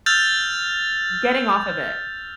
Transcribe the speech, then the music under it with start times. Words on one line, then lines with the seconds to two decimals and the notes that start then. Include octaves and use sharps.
Getting off of it.
0.06 E6 F6 G6 A6 F7